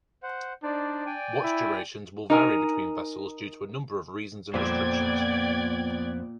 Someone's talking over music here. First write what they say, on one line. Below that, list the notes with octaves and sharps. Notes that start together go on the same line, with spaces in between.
Watch durations will vary between vessels due to a number of reasons and restrictions.
C5 F#5
D4 D#4 C5 D5
D5 G5 G#5
E4
D#4 A#4 G#5
F2 A#2 B3 B4 C5 D5 G5 G#6